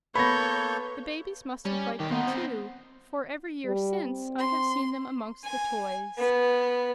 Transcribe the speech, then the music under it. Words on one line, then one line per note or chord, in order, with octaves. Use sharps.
The babies must have liked them, too, for every year since I have seen them amongst the toys.
A#3 B3 A4 B4 C#5 B5 G6 A#6
G3 C#4
B1 D#3 G4
B3 D#4 F4
C4
G3
C4
C6
G#5
B3